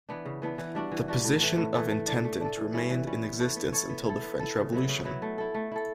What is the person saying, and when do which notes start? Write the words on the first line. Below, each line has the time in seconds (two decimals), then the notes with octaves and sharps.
The position of Intendant remained in existence until the French Revolution.
0.09 E3 B3 D4
0.25 C#3
0.42 E3 B3 D4
0.58 E3
0.75 G3 D4 F#4
0.92 E3
1.08 G3 D4 F#4
1.24 A2
1.41 E3 A3
1.57 A2
1.74 E3 A3
1.91 A3
2.07 D4 A4
2.24 A3
2.41 D4 A4
2.57 E3
2.73 G3 C#4 E4
2.90 E3
3.06 G3 C#4 E4
3.23 B3
3.39 E4 A4 C#5
3.56 B3
3.73 E4 A4 C#5
3.89 B3
4.06 E4 A4
4.22 B3
4.39 E4 A4
4.56 C#3
4.72 F#3 B3 E4
4.89 C#3
5.05 F#3 B3 E4
5.22 A3
5.38 E4 A4
5.54 A3
5.72 E4 A4